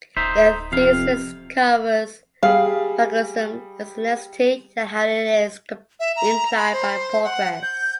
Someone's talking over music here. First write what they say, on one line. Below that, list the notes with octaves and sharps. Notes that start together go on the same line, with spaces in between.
The thesis covers plagiarism as a necessity and how it is implied by progress.
D1 D#4 C5 E5
F2 C3 F5
G3 G#4 F5
E5
A#5
B5
C5
F#5
G6